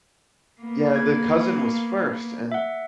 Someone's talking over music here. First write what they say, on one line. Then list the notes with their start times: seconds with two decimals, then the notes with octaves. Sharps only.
Yeah, the cousin was first and
0.61 A#3 B3
0.96 G#6
2.52 E5 F#5